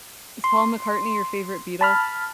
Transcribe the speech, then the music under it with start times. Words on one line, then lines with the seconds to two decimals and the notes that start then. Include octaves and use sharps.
Is Paul McCartney your favorite Beatle?
0.44 C6
1.81 A5 B5 F6